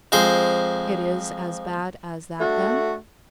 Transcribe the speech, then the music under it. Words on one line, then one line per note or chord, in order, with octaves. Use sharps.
"It is as bad as that, then?"
F2 G#3 C5
A3 D4 F#4